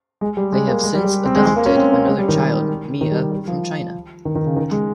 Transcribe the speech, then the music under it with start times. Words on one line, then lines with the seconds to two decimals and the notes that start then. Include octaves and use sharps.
They have since adopted another child, Mia, from China.
0.21 G#3
0.37 G3
0.52 G#3
0.68 A#3
0.84 G#3
0.94 G3
1.04 G3
1.25 C4
1.35 G#3
1.46 G#3
1.56 A#3
1.66 C#4
1.76 C4
1.92 A#3
2.08 G#3
2.18 G3
2.29 D#3
3.01 D#3
3.11 G3
3.32 G3
3.48 F3
4.25 D#3
4.35 D#3
4.46 C#3
4.56 D#3
4.71 G#3